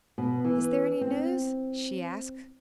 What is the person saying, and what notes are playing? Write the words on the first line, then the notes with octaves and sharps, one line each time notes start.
"Is there any news?" she asked.
B2
E3
C4